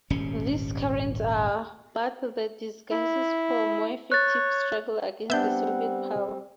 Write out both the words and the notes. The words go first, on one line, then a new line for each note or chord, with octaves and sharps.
These currents are but the disguises for more effective struggle against the Soviet power.
D#1 G#1 C3 C#4
E4
C#5 F#6 A6
G3 B3 C4 D4 E5 F#5 G6